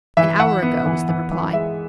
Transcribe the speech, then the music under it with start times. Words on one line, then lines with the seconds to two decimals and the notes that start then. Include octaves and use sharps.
"An hour ago," was the reply.
0.17 E3 E5
0.40 E3 F#5
0.63 B3
0.86 E3
1.09 E3
1.31 E3
1.53 G#3 E5